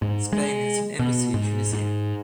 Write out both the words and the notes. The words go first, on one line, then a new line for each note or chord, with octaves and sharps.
Spain has an embassy in Tunisia.
G#2
G#3
B2
G#2
G#2